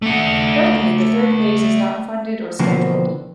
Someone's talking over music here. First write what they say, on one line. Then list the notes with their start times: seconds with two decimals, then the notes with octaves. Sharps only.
Currently, the third phase is not funded or scheduled.
0.02 A3 F#5
2.59 B2 D3 E3 F3 A#3 C4